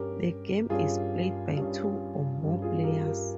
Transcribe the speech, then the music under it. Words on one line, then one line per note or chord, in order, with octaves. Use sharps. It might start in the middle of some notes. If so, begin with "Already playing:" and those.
The games is played by two or more players.
Already playing: G2 G3 C#4 G4 A#4
G2 G3 C#4 F4 G#4
G2 G3 C#4
G2 G3 C#4
F4 G#4
G4 A#4
G4 A#4